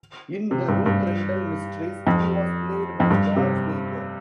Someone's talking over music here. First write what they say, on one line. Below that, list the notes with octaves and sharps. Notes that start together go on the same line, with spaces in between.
In "The Ruth Rendell Mysteries" he was played by George Baker.
C3
G2
G2
F2
F2
G2
C3